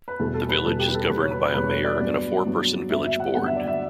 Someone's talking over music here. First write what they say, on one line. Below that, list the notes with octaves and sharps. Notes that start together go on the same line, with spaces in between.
The Village is governed by a Mayor and a four-person Village Board.
B4
E2 B2 G3 A4
A4
B4
E2 B2 G3 A4
G4
B4
A4
E2 B2 G3 B4
C#5
B4
E2 B2 G3 B4
C#5
D5
G2 F#3 B3
G2 F#3 B3
G2 F#3 B3 E5
E5
F#5
G2 F#3 B3 F#5
E5
D5
E5